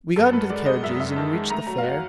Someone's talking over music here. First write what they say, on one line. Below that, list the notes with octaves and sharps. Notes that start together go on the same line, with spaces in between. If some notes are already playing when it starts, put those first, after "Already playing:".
We got into the carriages, and reached the fair.
F#2 A4
F#2 B4
G#3 D5
G#3 D#5
F#2 E5
F#2 E5
D#3 A5
G#3
A3 A#5
F#3 A#5
F5
F#3 F#5